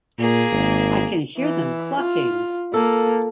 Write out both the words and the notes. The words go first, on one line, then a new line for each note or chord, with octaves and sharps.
I can hear them clucking!
A#2 A#3 G#4
G#1
E3
F4
A#3 A4